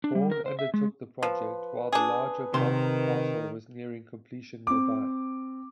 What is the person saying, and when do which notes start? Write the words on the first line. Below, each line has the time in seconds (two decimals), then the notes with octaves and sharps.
Bourne undertook the project while the larger Boldt Castle was nearing completion nearby.
0.04 D4
0.15 G3
0.31 A#4
0.46 C5
0.59 E5
0.74 G#3
1.23 F3 B4
1.93 D4 G#4
2.54 C3 D#3 C5 C6
4.67 C4 D6